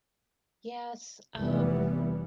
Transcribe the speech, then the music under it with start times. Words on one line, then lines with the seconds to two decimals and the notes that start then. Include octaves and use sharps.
Yes, um,
1.36 F1 E3 G3 B3